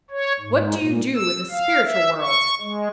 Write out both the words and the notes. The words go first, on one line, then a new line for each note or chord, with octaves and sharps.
"What do you do in the spiritual world?"
C#5
G#2
A#2
E6
F5
E5
C#6
G#3